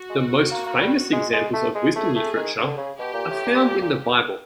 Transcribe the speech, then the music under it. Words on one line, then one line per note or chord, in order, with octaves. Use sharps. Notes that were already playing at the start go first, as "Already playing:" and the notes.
The most famous examples of wisdom literature are found in the Bible.
Already playing: F#4
G#3
A#3
A#3
G3
G#3
G#3
A3
G#3 G#4
A3
A3
D#3
D3
C#3
B2 G4
A#2
A2
A#2
A#2
A#2